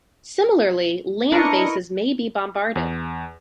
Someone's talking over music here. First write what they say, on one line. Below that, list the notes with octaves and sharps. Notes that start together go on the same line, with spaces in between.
Similarly, land bases may be bombarded.
D4 E4 A#4 B4 D#5 A#5 C#6
E2